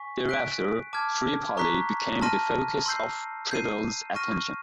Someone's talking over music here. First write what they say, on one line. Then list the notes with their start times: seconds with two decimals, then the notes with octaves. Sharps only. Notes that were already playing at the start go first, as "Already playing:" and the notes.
Thereafter, Tripoli became the focus of Preble's attention.
Already playing: G#5 C#6 B6
0.29 F#6 B6 D7
0.93 A5 D6 F6 G#6
1.57 A#5 C#6 F#6 B6
2.21 A5 C6 F6 A#6 D#7
2.86 C6 E6 G6 C7
3.51 G6 C7 D#7
4.15 C#6 F6 A#6 D#7